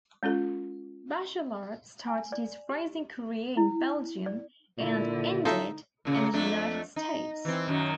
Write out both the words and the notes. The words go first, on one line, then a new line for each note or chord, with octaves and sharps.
Bachelart started his racing career in Belgium and ended in the United States.
G#3 C#4 F4 A4
G#5
D5
G4
E4
D5
A#2 D3 E4
D#4 F4 A4 E5
A#2 C#3
F2 A3 D4
D#4
E3 C4
F#2 D#3 F#3